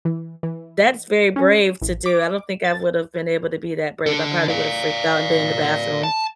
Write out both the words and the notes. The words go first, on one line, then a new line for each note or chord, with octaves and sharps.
that's very brave to do, I don't think I would have been able to be that brave, I probably would have freaked out and been in the bathroom,
E3
E3
C#4
A1
D6
A6
D4 A4
D5 F5
A5